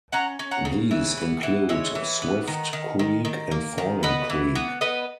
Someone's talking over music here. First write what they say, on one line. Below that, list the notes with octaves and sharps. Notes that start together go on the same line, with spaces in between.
These include Swift Creek and Falling Creek.
C#4 F#5 A#5
C#4
F#5 A#5
C#3
E3
B3
E3
G#3 C#5 E5
E3
B3
D#3
D#3
D#3
D#3
A#3
D#3
B3 B4 D#5
E3
B3
B3 B4 D#5